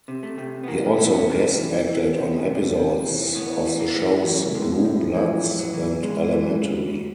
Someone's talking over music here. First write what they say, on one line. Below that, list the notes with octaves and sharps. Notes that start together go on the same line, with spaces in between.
He also guest acted on episodes of the shows "Blue Bloods" and "Elementary".
C3
A3
C3
B3
E3 A#3
A#3
B3
E3
B3
C3
A#3
E3
E3
C3
C3
C3
E3
A2 B3
E3
A#3
A2
E3 A3
A2 G#3
A2
E3 F3
A2
F#3
E3
E3 G#3
E3